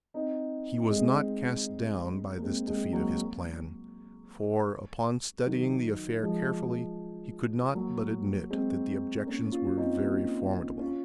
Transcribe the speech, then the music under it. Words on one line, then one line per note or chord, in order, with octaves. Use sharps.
He was not cast down by this defeat of his plan, for, upon studying the affair carefully, he could not but admit that the objections were very formidable.
C4 D#4
G#3 C4
A#3
G#3 C4
G#3 C4
F#3 A#3
D#3 F#3
F3 G#3
F#3 A#3
G#3 C4
A#3 C#4
C#4 F4
C4 D#4
A#3 C#4
C#4 F4